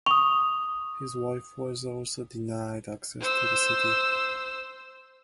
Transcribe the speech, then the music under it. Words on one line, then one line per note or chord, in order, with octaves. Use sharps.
His wife was also denied access to the city.
C#6 D#6 F7
C5 E6